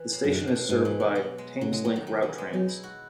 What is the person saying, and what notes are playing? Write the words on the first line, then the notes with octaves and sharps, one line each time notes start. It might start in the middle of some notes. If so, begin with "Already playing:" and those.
The station is served by Thameslink route trains.
Already playing: E3
A2
F#2 A2
B2
A2
B2
A2
G#2 B2
E3
E3
F#3
G#3
A2 F#3
G#3
F#3
D#3
D#3
E3
G#3
F#3 D#4
E4
F#4